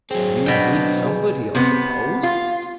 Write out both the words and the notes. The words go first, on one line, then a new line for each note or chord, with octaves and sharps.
"You zid somebody, I suppose?"
F#3 C4 G#4
B2 D4 G5
G#4
C3 B3
F4